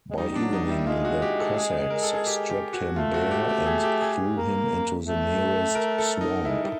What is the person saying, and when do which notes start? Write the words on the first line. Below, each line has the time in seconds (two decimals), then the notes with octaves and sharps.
By evening, the Cossacks stripped him bare, and threw him into the nearest swamp.
0.11 G#3
0.17 G3 D#4
0.31 G3
0.36 F#3 D4
0.53 D#4
0.64 G3
0.70 E4
0.87 G#3 F4
1.05 F#4
1.22 G4
1.40 A4
1.57 G#4
1.90 A#4
2.03 A4
2.14 G#4
2.27 G4
2.50 G4
2.73 F#4
2.96 A3 F4
3.14 F#4
3.31 G4
3.49 G4
3.66 G#4
3.84 G4
4.01 G#4
4.36 A#3
5.06 A3
5.75 A#4
5.98 A4
6.21 D#4
6.45 G#3 E4
6.63 G3